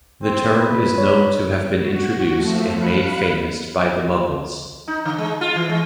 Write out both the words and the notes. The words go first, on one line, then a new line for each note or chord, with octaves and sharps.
The term is known to have been introduced and made famous by the Mughals.
C4
B4
C#5
F#4
F3 A3
F5 B5 F#6 C#7
D#4
D3
G#3
F4
E3
G#3